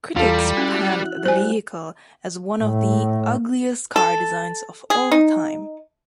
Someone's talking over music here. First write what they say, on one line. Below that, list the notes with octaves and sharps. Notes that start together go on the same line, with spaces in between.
Critics panned the vehicle as one of the ugliest car designs of all time.
E2 E3 G3 F4 A4 A#5
C#4 E4 F#4 F#6
G3 C5 G#5
A2
A4
G#4
D#4